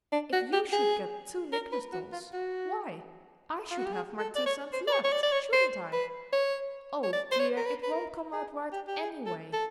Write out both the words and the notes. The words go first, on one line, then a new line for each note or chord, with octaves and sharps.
"If you should get two Nicholas dolls, why, I should have my two cents left; shouldn't I? Oh! dear, it won't come out right anyway!"
D4
F#4
G4
G#4
A#4
B4
F#4
F4
F#4
F4
F#4
G4
G#4
A4
D5
C#5
C5
D5
C#5
C#5
D5
D5
C#5
C5
B4
C#5
C#5
D5
C5
C#5
A#4
B4
B4
A#4
G#4
G4
G4
G#4
A4
A4